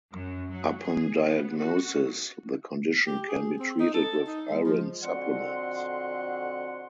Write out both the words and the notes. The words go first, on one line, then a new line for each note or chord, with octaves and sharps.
Upon diagnosis, the condition can be treated with iron supplements.
F#2
F#3
G#4
B3
F#4
G4
G#4
C4
D#4
A4
D#4
G#3
F3
F2 D3 C4 F#4 F#5 C6